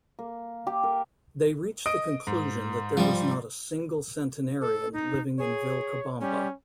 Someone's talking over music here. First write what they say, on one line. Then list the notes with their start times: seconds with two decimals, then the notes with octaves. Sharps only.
They reached the conclusion that there was not a single centenarian living in Vilcabamba.
0.19 A#3
0.67 G4
0.83 A#4
1.86 D#5 D#6 D7
2.27 G#2
2.97 F3 G3
4.61 A4
4.93 D#4
5.39 G#4 C#5
6.21 G3 C#4